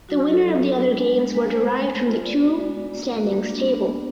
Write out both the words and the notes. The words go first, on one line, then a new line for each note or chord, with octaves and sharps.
The winner of the other games were derived from the two standings table.
F#3 F#4
F#3
A4
F#3
D4
B3 B4
G#3
G#3
G#3
A3 C5
A3
A3
F4
B3 D5
F#4
G#3
D4
A#3
F#4
A#3
D4
B3
B3